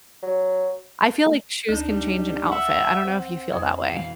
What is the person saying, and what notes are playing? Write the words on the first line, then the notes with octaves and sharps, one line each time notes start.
I feel like shoes can change an outfit, I don't know if you feel that way.
F#3
D2 D4 D#4
G3
E5 F#5
C4
F2 D#5 D#6
B2 E3 F5